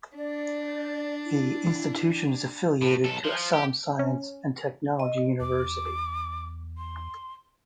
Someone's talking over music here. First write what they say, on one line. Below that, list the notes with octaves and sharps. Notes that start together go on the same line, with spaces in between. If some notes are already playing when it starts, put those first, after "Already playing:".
The institution is affiliated to Assam Science and Technology University.
D4 D5
E4
A2
B1 A4
F3
G4
C#4
D#5
E2 D6
C6